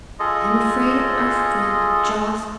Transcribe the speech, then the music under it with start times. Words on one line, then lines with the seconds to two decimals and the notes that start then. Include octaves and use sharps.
I am afraid our friend Jos.
0.19 F4 G#4 A4 D#5